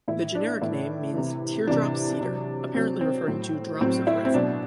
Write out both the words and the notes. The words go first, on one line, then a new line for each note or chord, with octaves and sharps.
The generic name means "teardrop cedar", apparently referring to drops of resin.
A2 E3 E4
D4
A2 E3 E4
C3 E3
C3 E3 D4
C3 F#3
C3 F#3 C4
C4
A2 F#3
A2 F#3 C4
E4
C4
B2 F#3 D4